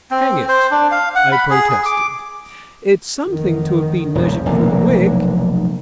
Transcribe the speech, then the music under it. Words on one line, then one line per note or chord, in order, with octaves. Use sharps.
"Hang it," I protested, "it's something to have been measured for the wig."
C4
C5
D4
F5
F#5
B5
G#4
G#4
D6
F1 D#3
E1 C#2 F#2 C#3
F1 B1 E3 A#3